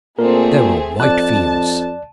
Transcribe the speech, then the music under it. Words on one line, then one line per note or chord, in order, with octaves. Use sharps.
There were white fields.
A#2 A3 C4 G#4 A#4
F2 D5 A5 F#6